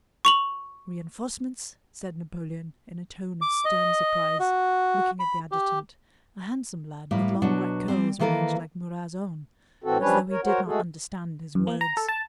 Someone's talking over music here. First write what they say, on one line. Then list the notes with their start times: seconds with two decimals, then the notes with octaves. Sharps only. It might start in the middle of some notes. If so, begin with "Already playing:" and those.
"Reinforcements?" said Napoleon in a tone of stern surprise, looking at the adjutant--a handsome lad with long black curls arranged like Murat's own--as though he did not understand his words.
0.25 C#6 F7 F#7
3.41 D6
3.65 D#5
4.39 F#4
5.20 B5
5.52 G4
7.11 A2 G3 A#3
7.42 B2 F#3 D4 F#4
7.88 G3 C4
8.19 D#3 E3 A#3 A4 A#4
9.84 A2 E3 C4 F#4 A4
10.00 F3 G3 C#4 D4 B4 C#5
10.30 A#4 C#5
10.44 F#4 A#4 C5 C#5 F#5
10.66 G#3 A3 F#4 G#4 A4
11.55 F#2
11.67 A#3
11.81 A#5
11.97 A4
12.08 A5